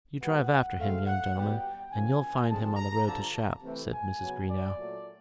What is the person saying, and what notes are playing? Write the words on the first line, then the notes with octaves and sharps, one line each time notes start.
"You drive after him, young gentleman, and you'll find him on the road to Shap," said Mrs. Greenow.
B2 G3 B3 F#5
C#3 F#3 A3 C4 F5
F#5
B2 G3 B3 G5
F#2 C#3 F3 A#3 C#4 G#5
D3 F3 G#3 C4 A5
A#5
G2 D3 F3 A5
C3 E3 A3
G#5
C#3 F#3 B3
D5
A#2 F#3 A3